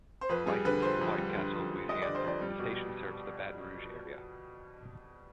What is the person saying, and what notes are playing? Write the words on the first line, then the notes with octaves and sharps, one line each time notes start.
Licensed to White Castle, Louisiana, the station serves the Baton Rouge area.
C5
F2 B4
G3 G#4
D3 B4
F2 C5
F2
G3
D3
F2
F2
G3 D#5
D3 D5
C5
F2 D5
G3
B2